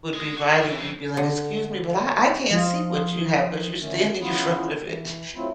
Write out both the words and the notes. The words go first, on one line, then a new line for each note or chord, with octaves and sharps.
would be writing and you'd be like, "Excuse me, but I I can't see what you have, 'cause you're standing in front of it."
G#4 D#5
F#4
E5 B5
E3
F2 C4
D3
F3 F4 D#5
D3 D#3 A3 C#4
B3 C#4 E4 F4 G#4
E3
F#3 A3 C4 E4 F4